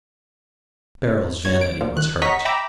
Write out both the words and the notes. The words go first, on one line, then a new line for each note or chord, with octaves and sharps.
Beryl's vanity was hurt.
G1 C#5 G#6
D7
A#2 F3
D#3 F#6
C#5 D#5 F#5 A#5 C#6 B6
E5 G5 A#5 B5 D6 E6